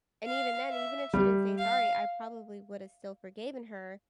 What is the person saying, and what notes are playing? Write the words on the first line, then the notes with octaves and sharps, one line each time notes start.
And even then, even if she didn't say sorry, I probably would've still forgiven her.
F5
E5
G3
F5